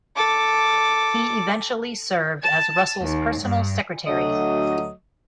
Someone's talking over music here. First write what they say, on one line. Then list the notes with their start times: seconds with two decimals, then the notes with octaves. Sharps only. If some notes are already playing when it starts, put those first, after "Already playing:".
He eventually served as Russell's personal secretary.
0.16 A4 D6
2.42 A5
3.00 D#2
3.39 G2
4.07 D2 F#3 A3 D#5